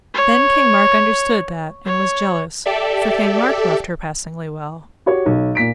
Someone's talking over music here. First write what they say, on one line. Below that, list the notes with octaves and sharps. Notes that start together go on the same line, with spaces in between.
Then King Mark understood that and was jealous, for King Mark loved her passingly well.
C#5
C#5
G4 A4 D5 E5
F#4 G4 C#5
B1
A#2 B6 D7